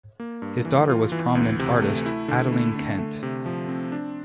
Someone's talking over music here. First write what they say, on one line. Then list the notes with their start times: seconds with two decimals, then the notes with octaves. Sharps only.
His daughter was prominent artist, Adaline Kent.
0.20 A#3
0.42 G2
0.65 E3
0.90 F4
1.12 E3
1.35 D2
1.59 C3
1.82 A3
2.06 E4
2.28 D3
2.53 A3
2.75 D3
2.98 A3
3.23 C3
3.46 F3
3.69 C4
3.92 D4